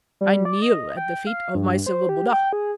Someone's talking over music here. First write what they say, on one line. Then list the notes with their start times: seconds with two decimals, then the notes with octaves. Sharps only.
I kneel at the feet of my silver Buddha.
0.21 G3
0.45 D5
0.62 D#5
0.97 G5
1.27 F5
1.55 G2
1.86 C5
2.09 G4
2.32 G5
2.53 G#4